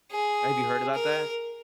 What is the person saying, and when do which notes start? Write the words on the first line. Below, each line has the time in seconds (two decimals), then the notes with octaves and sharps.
have you heard about that?
0.11 G#4
0.94 A#4